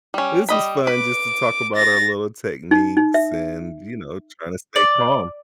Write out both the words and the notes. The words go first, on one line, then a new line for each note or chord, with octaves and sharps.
This was fun just to talk about our little techniques and, you know, trying to stay calm.
G3 C#4
G3 D#5 B5
B4 D6
A6 A#6
D#4
D#4
E5
D5